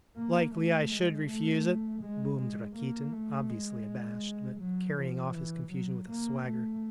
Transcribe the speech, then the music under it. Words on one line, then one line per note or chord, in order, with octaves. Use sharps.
"Likely I should refuse it," boomed Rakitin, obviously abashed, but carrying off his confusion with a swagger.
A#3
A3
G#3
A3
G#3
G#3
A#3
A3
G#3
F#3
F3
E3
F#3
A#3
A3